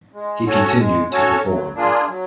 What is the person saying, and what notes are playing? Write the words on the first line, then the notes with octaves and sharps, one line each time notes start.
He continued to perform.
G#3
C#4 F#4 A4 C#5
G#3
C#4 F#4 A4 C#5
F#3
A#3 D4 F4 G#4
F#3